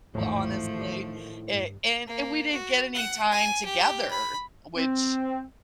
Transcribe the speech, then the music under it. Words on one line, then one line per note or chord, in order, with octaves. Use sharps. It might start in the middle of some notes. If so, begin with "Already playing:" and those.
honestly, it and and we didn't get any time together, which,
G#1 E2 A2 D#3 F3 A3
D#3
G2
A#3
F#4
F#5
G#5
G4
B5
C4